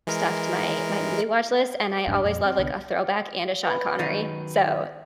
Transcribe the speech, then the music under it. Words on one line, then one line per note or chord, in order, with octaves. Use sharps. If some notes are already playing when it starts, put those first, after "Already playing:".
stuff to my my movie watch list, and I always love, like, a throwback and a Sean Connery, so,
E3 G#3 A#4
E1 G#2 G3 D4
F2 A#2
C4
C2 D3 B3
B4 B5
D#3 F#3 D#4